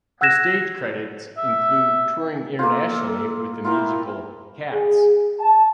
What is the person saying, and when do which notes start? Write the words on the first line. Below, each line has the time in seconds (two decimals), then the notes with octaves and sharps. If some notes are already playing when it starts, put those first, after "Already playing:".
Her stage credits include touring internationally with the musical "Cats".
0.21 F#5 E6 F#6 G#6 A#6 E7
1.38 E5
2.59 A#3 F4 A4
3.65 E4 F4 A#4 G5
4.73 G#4
5.39 A5